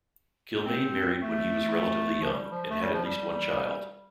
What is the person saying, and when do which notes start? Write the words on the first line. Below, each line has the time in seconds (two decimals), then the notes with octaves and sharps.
Kilmaine married when he was relatively young and had at least one child.
0.66 C4
1.22 A3
2.22 F3
2.34 G3
2.52 F3
2.71 A3
2.82 G3
2.94 F3
3.05 G3